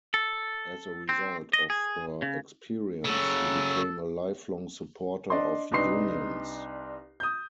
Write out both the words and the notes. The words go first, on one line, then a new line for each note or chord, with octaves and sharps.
As a result of her experience, she became a lifelong supporter of unions.
A4
C4
D#5
G#4
C#3
C#3 F#3 A4
D4 D5 D#5 C6
C2 D4 D#4 B4 C6 C7
D#6 G6